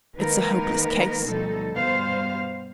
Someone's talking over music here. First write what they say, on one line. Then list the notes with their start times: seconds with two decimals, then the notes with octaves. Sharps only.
It's a hopeless case!
0.18 D#3 G#3 A#3 D#4 A#4 B4
1.24 D2 B2 F3 G3 D#4 A4
1.75 G2 B2 G3 C5 F5